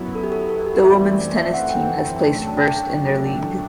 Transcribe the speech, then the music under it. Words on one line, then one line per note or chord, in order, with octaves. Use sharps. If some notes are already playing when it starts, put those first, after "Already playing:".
The women's tennis team has placed first in their league.
Already playing: F#2 F#3 B3 E4
A4
G4
A4
G4
A4
G4
F#4
F#2 E3 A3 C4 E5
D5
D5
E5
F#5
F#5
G5
G5
F#2 F#3 A3 D4 A5
A5
G5
G5